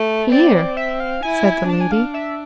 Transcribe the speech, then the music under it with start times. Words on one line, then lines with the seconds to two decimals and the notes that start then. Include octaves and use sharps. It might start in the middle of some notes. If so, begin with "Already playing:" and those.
"Here," said the lady.
Already playing: A3
0.32 C4 D5
0.77 E5
1.00 F5
1.23 E4 G#5
1.68 D4 A5
1.80 G#5
1.92 F5
2.14 E5